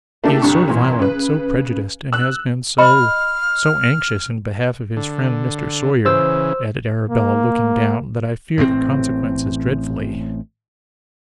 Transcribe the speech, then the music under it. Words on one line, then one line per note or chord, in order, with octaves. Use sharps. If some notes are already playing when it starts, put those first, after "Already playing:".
He is so violent, so prejudiced, and has been so--so anxious in behalf of his friend, Mr. Sawyer,' added Arabella, looking down, 'that I fear the consequences dreadfully.'
A3 A#3 D4 E4 G4 A4
C2 G2 D3 C#6
F#2 A#2 E3 C#4
C#3 B4
E6 F#6
D#5 B5 F6
D3
C#3 E3 C5 E6
A#3
A1 A2 C#3 C4